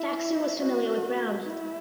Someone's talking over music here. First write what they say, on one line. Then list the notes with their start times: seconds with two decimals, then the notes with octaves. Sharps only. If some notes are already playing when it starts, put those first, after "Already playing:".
Thaxton was familiar with Brown.
Already playing: E4
0.60 F#4
1.44 E4